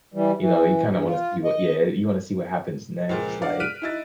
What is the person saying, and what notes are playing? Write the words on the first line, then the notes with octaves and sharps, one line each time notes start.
you know? You kinda wanna see what yeah. You wanna see what happens next. Like,
E3 G3
E3
G2
F4
D#5
C#2 A#2 F3
D4 D5 F5 F#5
F6 F#6 B6 D7 D#7
D#4 E4 A6